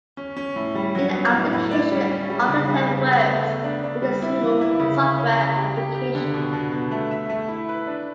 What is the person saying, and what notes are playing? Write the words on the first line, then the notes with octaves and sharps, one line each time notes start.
An application architect works with a single software application.
C#4
C#4
A2
G3
F#3
B3
A2
A2
D5
G3
C#4
G3
C#3
G3
C#3
B3
A3
A3
D4
D4
G3
E4
E3
E4
C#3
C#3
C#4
C#3
G4
G4
G4
D3
B2
B2
B2
A3
E5
A3
E4
B4
D4